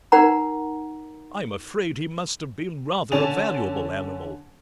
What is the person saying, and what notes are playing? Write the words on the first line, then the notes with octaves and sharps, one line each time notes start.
'I'm afraid he must have been rather a valuable animal.'
D#4 A#4 F#5 A#5
D3 C#4 G#5 A5 F7